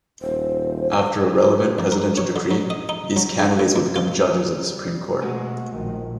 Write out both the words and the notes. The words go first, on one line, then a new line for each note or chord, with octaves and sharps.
After a relevant presidential decree, these candidates will become judges of the Supreme Court.
D#1 C5
A1
A#4
C#5
D3
F#3
D#5
D#4
F#3
C#3
A2
D2
F4
G3
B2 G#3 A3 F#4 G#5
A#1 D#3